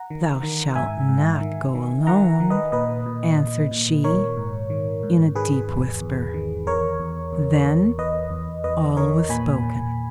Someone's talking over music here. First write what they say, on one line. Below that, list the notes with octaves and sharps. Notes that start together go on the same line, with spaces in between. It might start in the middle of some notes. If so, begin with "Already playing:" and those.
"Thou shall not go alone!" answered she, in a deep whisper. Then, all was spoken!
Already playing: F#5 A#5
D#3
D#3
G#2 E5 G#5
G#2
D#3
D#3
D#3 F#5 A#5
D#3
B4 D#5
A#2 B4 D#5
A#2
A#2
A#2
D#3 A#4 C#5
G#2
D#3
G#2
D#3 G#4 B4
E2
E2
D#3
E2 A#4 C#5
E2
E2
E2
E2 B4 D#5
E2
E2 B4 D#5
D#3 A#4 C#5
A#2 G#5 B5
A#2